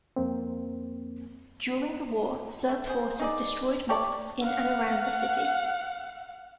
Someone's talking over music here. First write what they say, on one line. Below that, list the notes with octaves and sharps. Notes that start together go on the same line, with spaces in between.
During the war Serb forces destroyed mosques in and around the city.
F2 A#3 C4
A3
G#4 C5
D#4 G#4 D5
G4 A4 C#5 D5
F5 F#5